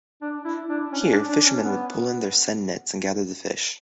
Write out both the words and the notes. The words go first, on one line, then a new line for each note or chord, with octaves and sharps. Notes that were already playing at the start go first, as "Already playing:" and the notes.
Here, fishermen would pull in their seine nets and gather the fish.
D4
E4
D4
C#4
D4
D4
C#4
B3